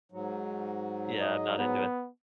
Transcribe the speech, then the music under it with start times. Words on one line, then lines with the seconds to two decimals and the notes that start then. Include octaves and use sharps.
yeah, I'm not into it.
0.12 G#2 F#3
1.21 D#5
1.59 B3